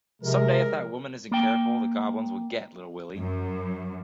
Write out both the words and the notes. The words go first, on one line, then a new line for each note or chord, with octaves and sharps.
Some day if that woman isn't careful the goblins will get little Willie.
C3 F3 G#3 A#4
A#3 G5
F#2